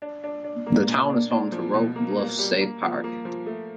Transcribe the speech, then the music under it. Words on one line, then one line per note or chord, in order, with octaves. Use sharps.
The town is home to Roque Bluffs State Park.
D4
D4
D4
A#3
A#2
D4
D4
F3
B2
A#3
A#3
G3
A#3
F3
A#3
F3
A3